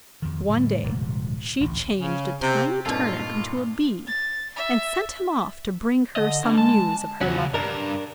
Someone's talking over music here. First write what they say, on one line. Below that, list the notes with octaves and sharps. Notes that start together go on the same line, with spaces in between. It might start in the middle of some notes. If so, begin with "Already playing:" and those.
One day she changed a tiny turnip into a bee, and sent him off to bring her some news of her lover.
F2 D#3
A2 D3 G3
D#1 G#2 C3 F3
A1 D2
C#3
C3
G2 A#2 C4 D#4 F4 A4 B4 C#5
A6
E5
D3 D#5
B2 D4
G#3 A5
E2 C#3 F#3 C#4 F#5
G2 D4 A#4